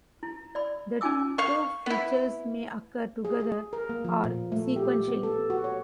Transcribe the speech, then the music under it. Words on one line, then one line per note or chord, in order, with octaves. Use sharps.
The two features may occur together or sequentially.
E4
D5 B5
C#4 D#4 F4 G#5 D6 E6
F5 C#6
B3 E4
G#4
G#4
A#4
A#3
F3
A#2
A3
G4
B3
A4
F#4
C#5